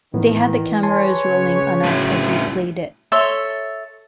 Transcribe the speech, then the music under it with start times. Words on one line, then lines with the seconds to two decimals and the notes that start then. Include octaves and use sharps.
They had the cameras rolling on us as we played it.
0.14 A2 D#3 E3 B3
0.83 G#4 B4 C#5 G#5 A5 C6
1.26 C#3
1.84 A2 F#3
3.12 A4 C#5 E5 C6